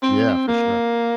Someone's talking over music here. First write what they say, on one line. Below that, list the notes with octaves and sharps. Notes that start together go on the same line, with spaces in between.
Yeah, for sure.
C4
A#3